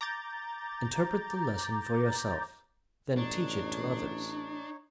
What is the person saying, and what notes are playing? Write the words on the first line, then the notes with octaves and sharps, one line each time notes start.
Interpret the lesson for yourself, then teach it to others.
A#5 D6 G6 A6
A1 D4 D#4 C#5